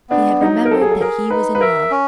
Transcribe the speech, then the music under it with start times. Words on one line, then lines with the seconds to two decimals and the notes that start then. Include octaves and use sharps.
He had remembered that he was in love.
0.10 B3 D4
0.41 F#3 D#4
0.65 A#4
0.71 F#3 A4
0.81 G#4
0.91 A4
1.00 G#4 A#4
1.30 D#4 B4
1.55 B4
1.61 A#4 E5
1.91 C#4